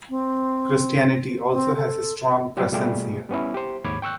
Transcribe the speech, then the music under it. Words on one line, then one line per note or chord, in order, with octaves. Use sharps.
Christianity also has a strong presence here.
C4
C4
A4
F#3 G3 F4 G4
B2 G3 A3 F4 G4 G#4
G3 B3 C#4 E4
G4 C5
D#2 G#2 C#5 B5 D6 G#6
G5 C#6 E6 F#6 G6